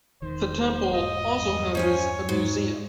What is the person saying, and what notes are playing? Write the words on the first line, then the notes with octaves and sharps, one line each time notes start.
The temple also houses a museum.
E1 D#3 C5
E1 G#2 D#5
E2 G2
F3 C#4 C#5 G#5
G#2